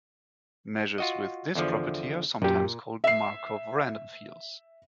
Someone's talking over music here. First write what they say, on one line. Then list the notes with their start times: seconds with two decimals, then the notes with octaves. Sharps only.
Measures with this property are sometimes called Markov random fields.
0.98 F4 F#4 D#5
1.55 E2 D3 F3
2.42 F#2 A#2 G4
3.04 E5 C7